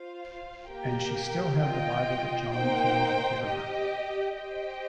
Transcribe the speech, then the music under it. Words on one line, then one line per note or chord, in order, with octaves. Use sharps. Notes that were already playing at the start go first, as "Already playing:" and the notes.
And she still had the Bible that John Field had given her.
Already playing: F4 C5 F5
A#3 G4 A#4 G5
F4 D#5 G5
A#3 D#4 C5 G5
G4 D#5 G5
G4 C5 D#5 G5